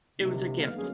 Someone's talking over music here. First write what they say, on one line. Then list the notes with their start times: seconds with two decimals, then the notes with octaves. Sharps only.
it was a gift.
0.19 C3 G3 A#3 D#4
0.32 D3 F3
0.58 A3 B3 F5
0.78 F#3 A#3 C#4 G#4